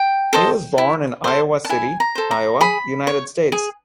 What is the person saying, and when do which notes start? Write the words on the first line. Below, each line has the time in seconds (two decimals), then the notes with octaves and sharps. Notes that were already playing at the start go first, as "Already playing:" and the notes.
He was born in Iowa City, Iowa, United States.
Already playing: G5
0.33 A4 C5 D#5
0.78 E4
1.24 A4 C5
1.65 A5
1.69 E4 G#5
2.00 A#5
2.15 A4 C5
2.31 A#5
2.61 G#4 B5
3.07 C#5
3.52 G#4